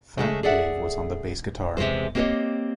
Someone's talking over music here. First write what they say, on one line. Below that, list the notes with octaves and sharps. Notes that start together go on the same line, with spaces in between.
'Fat' Dave was on the bass guitar.
C#3 G#3 A3
G#4 A4 D5 E5 F#5
E2 C3 F#3 G#3 C5
A#3 C4 G4 B4 C#5 D#5